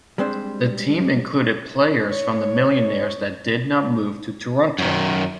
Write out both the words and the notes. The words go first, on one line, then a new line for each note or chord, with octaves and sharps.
The team included players from the Millionaires that did not move to Toronto.
G3 G#3 C4 D4 C5
C#5
F#2 D#3